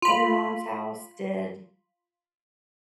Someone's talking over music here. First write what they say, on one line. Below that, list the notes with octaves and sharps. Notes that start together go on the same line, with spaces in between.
of your mom's house, did
F4 B5